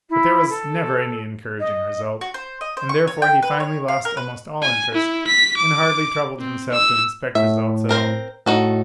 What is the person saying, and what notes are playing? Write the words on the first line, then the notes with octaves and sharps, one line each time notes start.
But there was never any encouraging result; and therefore he finally lost almost all interest, and hardly troubled himself to inspect results at all.
E4
A4
D#5
F#4
C5
D#5
C5
C#6
C#5
G5
B4
C#5
F5
A#4
B4
G#5
E4
B6
D6
C4
E6
A2 E5
C4 A#4 C5
A2 D#4 F#4 A4